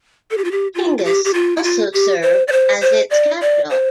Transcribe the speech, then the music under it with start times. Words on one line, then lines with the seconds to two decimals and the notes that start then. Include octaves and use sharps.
Tingis also served as its capital.
0.31 A4
0.38 G4
0.44 F4
0.51 G4
0.75 F4
0.98 F4
1.04 G4
1.25 G4
1.34 F4
1.57 E4
1.63 F4
1.93 G4
2.22 C5
2.48 D5
2.52 C5
2.81 C5
3.11 D5
3.41 D5
3.70 C5